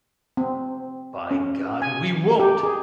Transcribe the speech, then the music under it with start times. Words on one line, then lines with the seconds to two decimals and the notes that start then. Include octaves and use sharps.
By God, we won't!
0.37 C4
1.31 C#4
1.82 G#5
2.39 G4
2.63 G#4